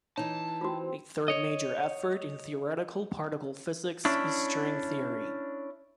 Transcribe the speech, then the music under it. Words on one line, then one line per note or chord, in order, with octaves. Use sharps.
A third major effort in theoretical particle physics is string theory.
E3 D#4 C#5 A5
C4 F4 F#4
C#5 D#5
C#4 D4 E4